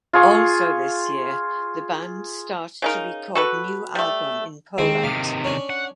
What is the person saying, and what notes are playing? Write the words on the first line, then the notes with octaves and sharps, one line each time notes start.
Also this year the band start to record new album in Poland.
F4 G#4 C#6
C#3 D#4 A#4
F#4 A4 B4
G3 A3
D#2 G#3 C4 G#5
C3 D#3 F5 D6
C#4 D4 G#5
F#5